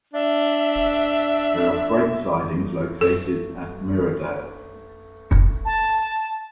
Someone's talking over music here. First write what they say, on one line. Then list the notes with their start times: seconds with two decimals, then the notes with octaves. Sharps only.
There are freight sidings located at Myrdal.
0.14 D4 E5
3.01 A4
5.65 A5